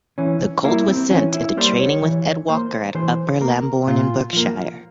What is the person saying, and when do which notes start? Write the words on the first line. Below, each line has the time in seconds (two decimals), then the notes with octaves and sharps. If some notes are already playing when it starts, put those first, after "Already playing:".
The colt was sent into training with Ed Walker at Upper Lambourn in Berkshire.
0.18 E3 C#4
0.64 G3 A#3 E4
0.88 C4
1.10 E3 C#4
1.34 E4
1.57 G3 A#3 C5
1.80 C#5
2.02 E3 C#5
2.49 A#3 C5
2.95 E3 C5
3.41 A#3 A#4
3.87 A#2 F4
4.33 F3 A#3